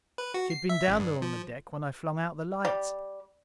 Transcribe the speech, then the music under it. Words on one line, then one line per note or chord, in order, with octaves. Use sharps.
She had been down there on the deck when I flung out the lights.
B4
F#4
C7
E5
A1
G2
F3
G3